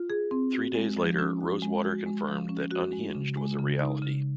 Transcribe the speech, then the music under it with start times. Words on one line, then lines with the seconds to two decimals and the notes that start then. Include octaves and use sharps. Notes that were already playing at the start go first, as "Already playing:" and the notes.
Three days later, Rosewater confirmed that "Unhinged" was a reality.
Already playing: F4
0.10 G#4
0.31 C4
0.54 F#4
0.75 G#3
0.97 F3
1.19 C#4
1.41 F#4
1.62 G#3
1.84 F#4
2.06 G#3
2.28 F3
2.49 C#4
2.71 F#4
2.93 G#3
3.15 C#3
3.37 G#3
3.59 C#3
3.81 D#4
4.02 C#3